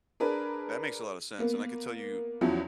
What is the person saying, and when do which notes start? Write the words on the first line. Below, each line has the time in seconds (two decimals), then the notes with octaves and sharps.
That makes a lotta sense, and I could tell you-
0.20 D4 G#4 A#4 B4
1.38 A#3 B3
2.41 E2 F3 F#3 C#4 E4